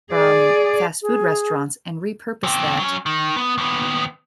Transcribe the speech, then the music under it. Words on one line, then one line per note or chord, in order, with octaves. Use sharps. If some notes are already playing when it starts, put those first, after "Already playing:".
from fast food restaurants and repurpose that
G#4 D5
G#4
E2 C4
F#3 C#4
D#3
B3
D#2 B3